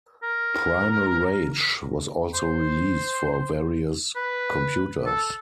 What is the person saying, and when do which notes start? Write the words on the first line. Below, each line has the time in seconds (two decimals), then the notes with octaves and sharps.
"Primal Rage" was also released for various computers.
0.23 A#4
2.34 C5
4.16 B4
5.06 A4